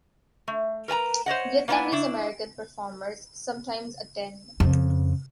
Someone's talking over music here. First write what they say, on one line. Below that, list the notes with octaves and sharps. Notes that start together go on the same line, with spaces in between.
Vietnamese-American performers sometimes attend.
A3
A#4 B4 A5 A#5
C5 C#5 D#5 F#5
A#3 B3 D4 E4 D5 G#5
C#3 D4 E4
F2 C#3